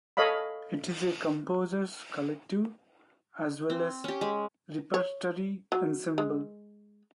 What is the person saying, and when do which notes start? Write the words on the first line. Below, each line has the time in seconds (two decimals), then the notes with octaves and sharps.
It is a composers' collective as well as repertory ensemble.
0.17 A4 C#5 D#5 F5 B5
3.70 C4
4.04 C#4 G4
4.21 G#3
4.94 C#5
5.72 F#3
6.18 G#3